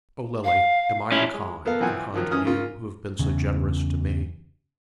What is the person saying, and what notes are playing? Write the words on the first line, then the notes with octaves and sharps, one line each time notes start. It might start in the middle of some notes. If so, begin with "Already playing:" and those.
"Oh, Lily, am I unkind,--unkind to you, who have been so generous to me?"
F5
C#4 E4
G#3
A#3 B3 A4 A#4 F5
B1 E3 C4 F4 F#5 G#5
D#3 F3 F#3
E3 C#4 D#6 F6
C#3 A#3 F4
E2 C#3